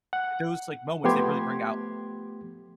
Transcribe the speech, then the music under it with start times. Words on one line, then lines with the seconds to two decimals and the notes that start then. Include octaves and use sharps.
those, like, moments, they really bring out,
0.13 F#5
1.04 F3 A3 B3 G4 C6 G#6